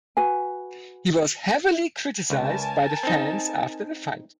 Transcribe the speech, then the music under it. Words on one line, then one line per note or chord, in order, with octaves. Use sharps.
He was heavily criticized by the fans after the fight.
F#4 B4 G#5
C#2 A#4 G#5 A5
C4 D#4